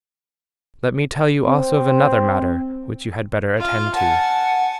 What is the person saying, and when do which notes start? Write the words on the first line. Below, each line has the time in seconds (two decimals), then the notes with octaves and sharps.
Let me tell you also of another matter which you had better attend to.
1.47 C4
3.58 F4 F5
3.94 F#5 G#5 A5